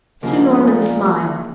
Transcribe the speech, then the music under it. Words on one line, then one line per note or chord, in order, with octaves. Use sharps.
Sir Norman smiled.
G#2 C#3 F3 A#3
A#2